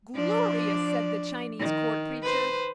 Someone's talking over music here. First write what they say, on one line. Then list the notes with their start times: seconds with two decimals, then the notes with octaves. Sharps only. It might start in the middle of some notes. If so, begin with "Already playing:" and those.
"Glorious!" said the Chinese Court Preacher.
0.14 F3 D4 D5
1.59 D#3
2.22 B4 C5